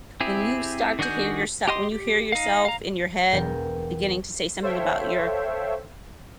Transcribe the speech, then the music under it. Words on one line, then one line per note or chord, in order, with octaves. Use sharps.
When you start to hear yoursel when you hear yourself in your head beginning to say something about your
C4 E4 G4 G#4
D#3 D4 F#4 G#4 G6
G4 D#5 C6
G4
D#4 F5
F5 A#5
E1 B3 A#4 G5
A4 C5 C#5 E5 F5 G5